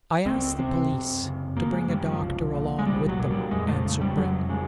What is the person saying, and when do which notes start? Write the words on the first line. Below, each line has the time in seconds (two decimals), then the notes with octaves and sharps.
"I asked the police to bring a doctor along with them," answered Breton.
0.25 C#2 C4
0.58 C3 C4
0.91 F#2
1.24 C#3
1.56 F#2 A#3
1.72 G#3
1.88 C#3 G3
2.05 F3
2.21 C2
2.54 A#2
2.79 G#3
2.86 C2 G3
3.09 F#3
3.19 A#2
3.31 G3
3.51 F2 G#3
3.68 A3
3.85 C#3
4.01 G3
4.17 F2 F#3
4.49 C#3 G#3